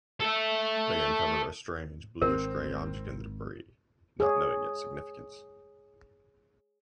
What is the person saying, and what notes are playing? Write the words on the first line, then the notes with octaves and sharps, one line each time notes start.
They uncover a strange, bluish-gray object in the debris, not knowing its significance.
A4 E5
G#1 C4 A#4
G#4 C#5